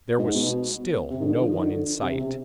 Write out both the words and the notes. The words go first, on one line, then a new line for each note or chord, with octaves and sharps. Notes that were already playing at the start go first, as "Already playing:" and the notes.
There was still no one in sight.
G#2
B2
C3
D#3
D3
F3
D#3
D3
C3
C3